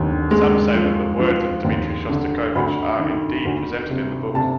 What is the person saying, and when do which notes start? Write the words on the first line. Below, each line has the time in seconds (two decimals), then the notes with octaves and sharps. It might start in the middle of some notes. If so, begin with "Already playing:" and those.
Some say that the words of Dmitri Shostakovich are indeed presented in the book.
Already playing: D#2 D3
0.31 G#3
0.75 F3
1.20 F3
1.65 D#2
2.09 D3
2.55 D2 B5
2.99 D#3
3.45 D2
3.90 C3
4.34 C3 A5